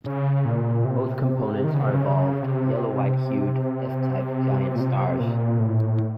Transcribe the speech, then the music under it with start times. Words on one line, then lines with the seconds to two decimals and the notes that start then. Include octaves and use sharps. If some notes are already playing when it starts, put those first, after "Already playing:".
Both components are evolved, yellow-white hued, F-type giant stars.
0.06 C#3
0.45 A#2
0.85 C3
1.64 D#3
1.74 C#3
1.85 C3
1.95 C#3
2.42 C3
4.75 A#2
4.80 C3
5.20 A#2
5.60 A2